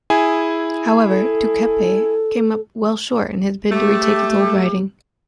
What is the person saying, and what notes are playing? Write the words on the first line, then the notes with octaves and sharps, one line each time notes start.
However, Duceppe came up well short in his bid to retake his old riding.
E4 G#4 G#5
A4
A3 G4